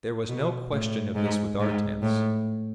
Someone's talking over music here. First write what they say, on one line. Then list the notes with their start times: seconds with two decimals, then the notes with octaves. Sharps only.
There was no question of this with our tents.
0.29 B2
0.72 A2
1.15 G#2
1.59 G#2
2.03 A2